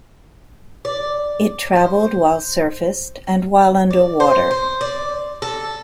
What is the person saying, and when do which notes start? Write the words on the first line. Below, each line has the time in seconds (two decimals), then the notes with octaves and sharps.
It traveled while surfaced and while under water.
0.85 D5
1.76 C5
3.91 D5
4.20 C5
4.51 C5
4.81 D5
5.42 A4